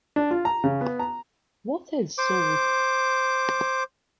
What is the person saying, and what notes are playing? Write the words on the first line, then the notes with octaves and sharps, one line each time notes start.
What Is Soul?
D4
F4
A#5
C#3
B3
A#5
C5 D6